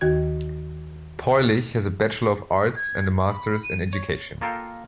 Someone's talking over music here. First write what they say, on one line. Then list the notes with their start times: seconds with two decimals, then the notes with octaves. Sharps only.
Peulich has a Bachelor of Arts and a Masters in Education.
0.01 D#2 D#3 F#4 G#6
2.76 G#6
3.24 B5
3.63 D#7
3.93 C#5
4.41 A#3 F4 A4 A#4 F5 G5